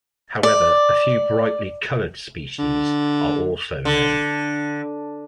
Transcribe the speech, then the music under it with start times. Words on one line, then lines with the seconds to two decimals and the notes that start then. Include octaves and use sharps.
However, a few brightly coloured species are also known.
0.43 D5
2.59 D3
3.85 D3